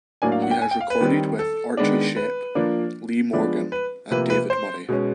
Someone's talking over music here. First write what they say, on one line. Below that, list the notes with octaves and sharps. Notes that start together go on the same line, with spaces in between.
He has recorded with Archie Shepp, Lee Morgan and David Murray.
A2 F#3 A#3 D4 G#5
F5
F#5
G5
G#5
G5
F5
B4
D#3 G3 C4
A4
D#3 G#3 B3 D4
B4
F3 A#3 D4
F3 G#3 B3 D4
B4
C3 F3 A#3 B4
B4
C5
B2 G#3 C#4